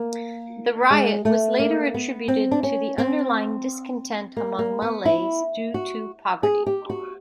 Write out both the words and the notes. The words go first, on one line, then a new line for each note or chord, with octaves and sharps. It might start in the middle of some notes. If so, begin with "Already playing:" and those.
The riot was later attributed to the underlying discontent among Malays due to poverty.
Already playing: A#3
G#3
A3
A#3
B3
C4
D4
C#4
C4
A#3
A#3
B3
E4
F#4
G#4
G4
F#4